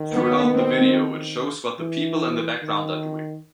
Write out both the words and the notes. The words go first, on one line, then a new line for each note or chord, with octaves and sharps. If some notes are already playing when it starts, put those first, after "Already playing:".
Throughout the video it shows what the people in the background are doing.
Already playing: D#3
B3
C4
E3
D#3